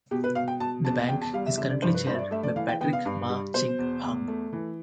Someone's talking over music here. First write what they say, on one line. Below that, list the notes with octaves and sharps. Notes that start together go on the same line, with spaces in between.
The bank is currently chaired by Patrick Ma Ching Hang.
B2 G4
B4
B2 F5
G5
B2 A5
E2 A5
E2 G5
A5
G3 F5
E5
D3 E5
D5
G2 C5
B4
G2 C5
E5
D5
A3 E5
D5
E3 F5
G5
B3 G5
F5
G2
G3
B2 C5
E2
E2
A3
E3